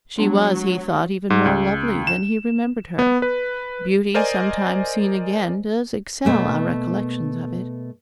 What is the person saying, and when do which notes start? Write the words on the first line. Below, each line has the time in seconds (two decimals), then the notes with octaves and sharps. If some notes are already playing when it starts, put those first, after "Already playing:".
She was, he thought, even more lovely than he remembered her. Beauty sometimes seen again does excel our recollections of it.
0.19 F#3 G#3 B3 D4
1.30 G#2
1.46 C#2
2.07 E7
2.99 B3
3.22 B4
4.15 A#4 C5 D5 D#5 G#5
6.25 B2 A3 A#3